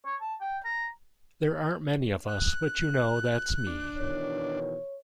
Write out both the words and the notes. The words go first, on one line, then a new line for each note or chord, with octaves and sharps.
There aren't many of us, but you know, that's me.
C#5
A5
G5
A#5
F#6
D4
B2 D#3 E3 C#5